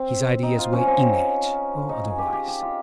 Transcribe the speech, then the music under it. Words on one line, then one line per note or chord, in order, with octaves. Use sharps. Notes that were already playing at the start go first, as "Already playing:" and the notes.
His ideas were innate--or otherwise.
Already playing: C4
D#4
F4
C#4
C4
C#4
D#4
G#4
G4
F4
G4
G4
F4